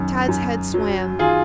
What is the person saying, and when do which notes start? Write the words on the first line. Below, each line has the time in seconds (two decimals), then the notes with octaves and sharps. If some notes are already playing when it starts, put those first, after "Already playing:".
Tad's head swam.
Already playing: F#2 D#3
0.28 F#2
0.74 F#3
1.19 D#3 F4 G#4